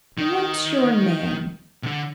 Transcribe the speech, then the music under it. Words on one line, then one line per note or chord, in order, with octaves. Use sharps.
"What's your name?"
D#3
C3
D3